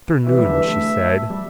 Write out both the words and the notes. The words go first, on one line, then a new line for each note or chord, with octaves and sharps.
Afternoon she said.
E3 E5
G3
D3
E3
A3
G3